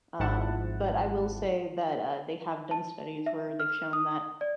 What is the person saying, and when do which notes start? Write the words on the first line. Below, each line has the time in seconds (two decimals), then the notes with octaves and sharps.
um, but I will say that, uh, they have done studies where they've shown that,
0.19 G#1 G#2 F3 E4 F#5 A5
2.71 A5
3.26 E5
3.60 F6
3.93 D#6
4.41 D5